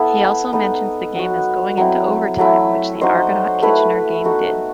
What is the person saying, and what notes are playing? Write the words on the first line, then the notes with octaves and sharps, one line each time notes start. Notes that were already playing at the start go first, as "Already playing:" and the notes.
He also mentions the game as going into overtime which the Argonaut-Kitchener game did.
Already playing: B3 E4 A4
B3 D#4 A4 D#5
F#3 B3 F#4
F#3 C4 E4
F#3 A3 E4
D#4 F#4 C5 D#5
A3 E4 B4
B3 D#4 F#4 A4